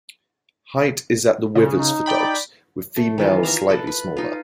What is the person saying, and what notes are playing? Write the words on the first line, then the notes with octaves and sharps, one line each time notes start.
Height is at the withers for dogs, with females slightly smaller.
A#2 C#3
D#4
D5 G5 B5
A3
D#3 E3 F4
A#4 E5 F5 A#5
A4 B4 A5
B4
D#4 F4